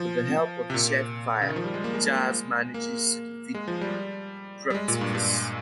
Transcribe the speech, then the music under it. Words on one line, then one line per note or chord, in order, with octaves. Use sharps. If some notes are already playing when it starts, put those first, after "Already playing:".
With the help of Jetfire, Jazz manages to defeat Bruticus.
Already playing: F3
C3
A#2
C#3
D#3
F3
G3
G#3
A#3
G#3
A#3
G#3
F3
G3
G3
G#3
A#2
G2
G2